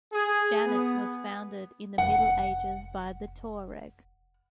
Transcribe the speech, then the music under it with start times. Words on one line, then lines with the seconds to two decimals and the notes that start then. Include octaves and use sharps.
Djanet was founded in the Middle Ages by the Tuareg.
0.13 G#4
0.66 B3
1.98 F1 F#5